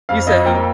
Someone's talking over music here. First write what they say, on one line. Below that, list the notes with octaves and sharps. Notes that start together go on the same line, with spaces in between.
You said who?
F2 F5
F2 D#5
A#3 G5